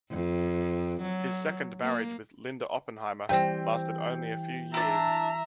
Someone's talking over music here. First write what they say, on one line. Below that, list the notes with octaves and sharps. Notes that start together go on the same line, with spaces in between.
His second marriage with Linda Oppenheimer lasted only a few years.
F2
F#3
A#3
E3 G3 A3 C4 C5 G5
D4 E4 E5 A#5